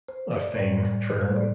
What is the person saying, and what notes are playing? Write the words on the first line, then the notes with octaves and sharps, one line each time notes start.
a thing for
C5
D5
A2 G3 D5
A2 G3 C5
D5